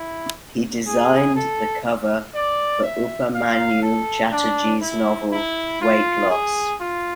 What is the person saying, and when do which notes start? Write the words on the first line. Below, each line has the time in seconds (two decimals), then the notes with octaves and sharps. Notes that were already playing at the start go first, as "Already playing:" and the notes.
He designed the cover for Upamanyu Chatterjee's novel, "Weight Loss".
Already playing: E4
0.86 G#4
1.35 A4
2.35 D5
2.83 E5
3.34 F5
3.82 A4
4.32 D4
4.81 E4
5.31 E4
5.81 F4
6.30 G#4
6.80 F4